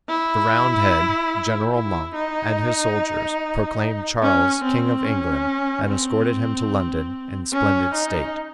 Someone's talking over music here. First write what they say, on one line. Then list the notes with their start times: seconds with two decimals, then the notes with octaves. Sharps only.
The Roundhead, General Monk, and his soldiers proclaimed Charles King of England and escorted him to London in splendid state.
0.09 E4
1.74 E4
2.15 D#4
4.22 C#4
4.64 C4
5.05 C#4
5.88 C4
7.53 C#4
7.94 D#4